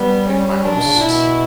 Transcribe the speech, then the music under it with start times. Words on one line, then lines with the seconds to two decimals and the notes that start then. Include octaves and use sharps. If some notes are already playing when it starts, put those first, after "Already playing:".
in my most
Already playing: G3 B3
0.28 C#4
0.64 F#3 D4
0.75 B2
0.83 C#3
0.93 A#2
1.01 B2 E4